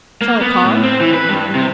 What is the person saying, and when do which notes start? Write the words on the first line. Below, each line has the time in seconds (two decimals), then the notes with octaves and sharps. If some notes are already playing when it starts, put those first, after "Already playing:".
"Shall I call?"
0.22 A#3
0.41 B3
0.64 A2
0.83 C4
1.00 E3
1.14 B4
1.29 G2
1.55 C3